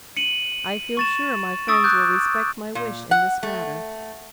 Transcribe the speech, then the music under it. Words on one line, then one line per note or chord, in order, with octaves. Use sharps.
I feel sure my friends will respect my wish in this matter.
C#7 D#7 F#7
C#6 A6 E7
C#6 D#6 E6 A6 D7
D6 F#6 G6
A#2
F#5
A3